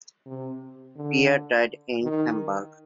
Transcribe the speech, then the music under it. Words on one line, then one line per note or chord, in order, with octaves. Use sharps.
Peyer died in Hamburg.
C3
D3
D#3